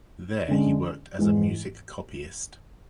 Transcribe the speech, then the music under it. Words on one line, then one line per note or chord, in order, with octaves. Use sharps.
There he worked hard as a music copyist.
D3 G#3 C#4
G#2 E3 G#3